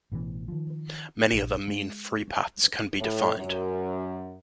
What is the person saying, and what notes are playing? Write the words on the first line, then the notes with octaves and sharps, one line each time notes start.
Many other mean free paths can be defined.
A1 B2 D#3 E3
D#3 F3
A#1
G#3
A2
F#2